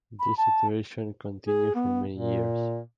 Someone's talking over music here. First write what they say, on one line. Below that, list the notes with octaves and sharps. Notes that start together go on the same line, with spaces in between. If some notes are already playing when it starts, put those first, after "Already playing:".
This situation continued for many years.
B5
A5
G#4
B3
A#2